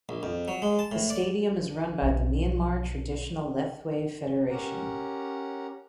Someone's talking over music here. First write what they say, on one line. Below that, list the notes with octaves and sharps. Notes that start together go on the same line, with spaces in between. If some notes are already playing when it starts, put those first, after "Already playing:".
The Stadium is run by the Myanmar Traditional Lethwei Federation.
A#1
F2
F#3
G#3
A5
A2
D5
B1 D3
C#4 G4 A#4 F#5 A#5